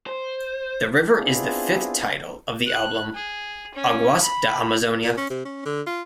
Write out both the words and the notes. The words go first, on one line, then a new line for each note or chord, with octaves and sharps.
The river is the fifth title of the album Aguas da Amazonia.
C5
B3 C4 D4 E4 F4 G#4
F#6
G#4
C#4
B5
A#2
C#4
C3
C#4
D3
F4